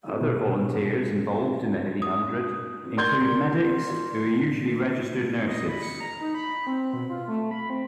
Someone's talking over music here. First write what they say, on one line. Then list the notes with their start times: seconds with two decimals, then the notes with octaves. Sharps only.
Other volunteers involved in the Hilly Hundred include medics, who are usually registered nurses.
0.21 B2
2.02 D#6
2.97 A#4 D5 C6 G6 G#6
5.47 D#5
5.69 B5
5.82 C#7
6.01 A#5
6.21 D#4
6.35 B5
6.67 C4
6.93 B2
7.10 F4
7.28 A3
7.51 B5
7.70 C4